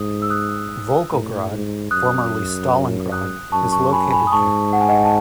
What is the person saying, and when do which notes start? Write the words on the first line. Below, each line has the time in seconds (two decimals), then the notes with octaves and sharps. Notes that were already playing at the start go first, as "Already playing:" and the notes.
Volgograd, formerly Stalingrad, is located there.
Already playing: G#2 D#6
0.22 E6
0.30 D#6 F#6
1.11 A2
1.52 G#2
1.91 F#2 D#6 F#6
3.12 D#6 F#6
3.52 F#2 A5 C#6
3.72 A5 C#6
3.92 G#5 B5
4.12 G#5 B5
4.27 D#6
4.32 G#2 A5 C#6
4.73 F#5
4.81 G#5
4.88 D#5 F#5
5.05 A5